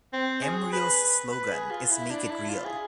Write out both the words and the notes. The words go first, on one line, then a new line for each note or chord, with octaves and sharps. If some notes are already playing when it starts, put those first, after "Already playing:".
M-real's slogan is "make it real".
C4
G#4
B4
B4
G#4
F4
E4
D4
E4
F4
G#4